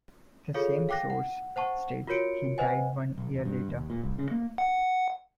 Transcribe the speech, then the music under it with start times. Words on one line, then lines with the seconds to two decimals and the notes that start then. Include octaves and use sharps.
The same source states he died one year later.
0.54 F4 G#4 A4 C#5 F5
0.89 F5 G5 D6 F#6 A#6
1.10 F#5
1.56 C5 F#5 A5 C#6
2.07 F4 F#4 A#4 C#5 C#7 D7
2.58 B4 C5 D#5 F#5 G#5
3.18 B1
3.34 E1
3.45 G2
3.68 D#2
3.90 A#2
4.03 C2
4.18 C#3
4.31 A#3
4.58 F#5